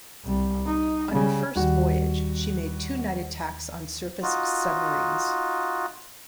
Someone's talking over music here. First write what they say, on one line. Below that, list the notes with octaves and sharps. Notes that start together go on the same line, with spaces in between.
On her first voyage, she made two night attacks on surfaced submarines.
C2 G3
D#4
C#3 G3
D#2 D#3 G3 F#4
D#4 F4 F#4